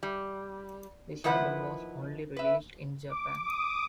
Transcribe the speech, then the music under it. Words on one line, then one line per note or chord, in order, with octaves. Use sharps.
This album was only released in Japan.
G3
D#3 F3 E4 B4 F#5
B4 E5
D6
D6 D#6